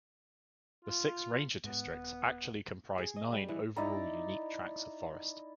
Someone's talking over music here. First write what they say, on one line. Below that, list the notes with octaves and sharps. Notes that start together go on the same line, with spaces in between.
The six ranger districts actually comprise nine overall unique tracts of forests.
F4
G#2 B3
D#1
G#4
D#5
G3
E3
D#4 E4 D5 A#5